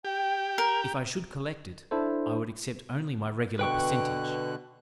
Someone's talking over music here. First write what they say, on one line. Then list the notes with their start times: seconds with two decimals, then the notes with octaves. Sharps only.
If I should collect it, I would accept only my regular percentage.'
0.05 G4 G5
0.58 A#4
1.91 D4 E4 A4 C5
3.59 B2 D3 B4 G5 C#6 F#6